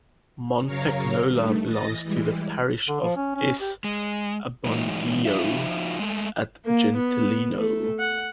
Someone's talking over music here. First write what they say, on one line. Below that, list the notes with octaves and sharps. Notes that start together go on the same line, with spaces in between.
Montagnola belongs to the parish of S. Abbondio at Gentilino.
F#2 C#3 A#4 C#5 F5 A#5
G2 D#3 A3
E3 D#5 A6 A#6
E3 G3 G#3
D3
F3
C#4
C#4
G4
G#3
A2 E3 F#3 G#3 D#4
F3 D#4 F4 F#4 E5
G#3 A3
A#3
B3
A3
F#5